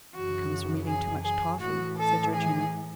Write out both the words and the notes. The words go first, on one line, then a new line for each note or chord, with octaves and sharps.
"It comes from eating too much toffy," said Georgina.
F#2 C#3 E3 F#4
G#4
G#4
A2 E3 F#4
A4
G#4